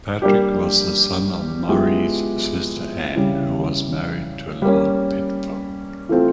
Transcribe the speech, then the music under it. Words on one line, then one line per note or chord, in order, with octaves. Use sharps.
Patrick was the son of Murray's sister Anne who was married to Lord Pitfour.
G3 A#3 D4 G4
F3 G#3 B3 E4 G4
C#3 E3 G3
G3 A#3 C#4
E3 A3 C4 F4